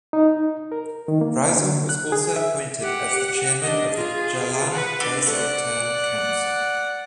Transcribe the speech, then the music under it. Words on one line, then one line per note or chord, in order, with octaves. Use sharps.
Rizal was also appointed as the chairman of the Jalan Besar Town Council.
D#4
A#4
D#3
A#3
D3
F#6
G#4
E5
G4 F#5
D4 D#5
F4 G#4
B4 F#5
D5 F#5